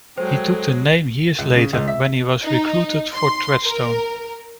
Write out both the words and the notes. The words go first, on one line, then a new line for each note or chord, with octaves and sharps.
He took the name years later when he was recruited for Treadstone.
F#3 G#3 A4 C5 G5
C#2
C#3
C#2
E5
D#4
C6
A#4